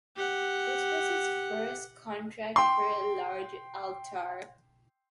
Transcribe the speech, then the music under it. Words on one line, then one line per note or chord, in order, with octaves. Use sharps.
This was his first contract for a large altar.
G4 F#5
G5 C6